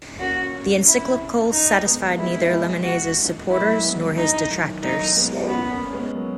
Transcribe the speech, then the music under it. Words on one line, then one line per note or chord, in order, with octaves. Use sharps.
The encyclical satisfied neither Lamennais's supporters nor his detractors.
A#3 C#4 F#4
E4
D#4
G#3 B3
G#3 B3 E4
E3 G#3
F#4
F#3 A#3 E4
G#3 B3
F#3
E3 D#4
D#3 F#3
F#3 A#3 D#4
G#3 B3
A#3 B3 C#4
A#3 C#4
C#4
G#3 B3
F#3 A#3